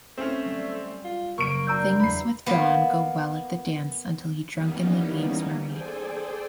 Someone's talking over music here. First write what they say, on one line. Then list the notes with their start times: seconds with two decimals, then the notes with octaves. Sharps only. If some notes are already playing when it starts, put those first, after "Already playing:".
Things with Don go well at the dance until he drunkenly leaves Marie.
0.17 A3 C4 C#4
0.45 G3
1.04 F4
1.38 F#1 A#3 C#6 D7
1.67 D4 F#4 D5 A#5 E6 G6
2.00 E2 B5 C7
2.46 A#3 B3
4.52 E3 G3 A#3 B3 C#4 D#4
5.64 G#4 A4 C5 D5 G5 G#5